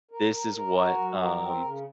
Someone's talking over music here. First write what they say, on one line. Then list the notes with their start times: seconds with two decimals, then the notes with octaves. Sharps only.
"This is what" um,
0.11 A#4
0.32 A#4
0.54 A#4
0.75 F#4
0.97 F#3
1.19 A#4
1.40 C4
1.61 C#3